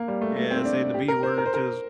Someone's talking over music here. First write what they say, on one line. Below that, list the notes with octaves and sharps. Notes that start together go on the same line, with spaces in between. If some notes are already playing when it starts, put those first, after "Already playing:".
Yeah, saying the b word to
Already playing: A#3
G3
A3
A3
C4
D4
G4
A#4
C5
A#4
C5
A#4